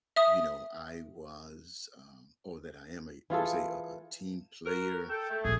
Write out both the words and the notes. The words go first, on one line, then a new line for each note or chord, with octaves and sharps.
you know, I was, um or that I am a, per se, a a team player,
E5 D#6
E3 F4 G#4 A4
F#4 A#4
A4 G5
A3
A#1 C4 G#4